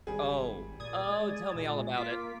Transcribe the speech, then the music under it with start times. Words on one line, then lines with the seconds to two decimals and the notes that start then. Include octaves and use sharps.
Oh. Oh, tell me all about it!
0.07 G#1 G3 G#4
0.80 A#2 D5 D#6 G#6
1.10 G#3
1.55 A#2
1.97 A#3 F4 D6 B6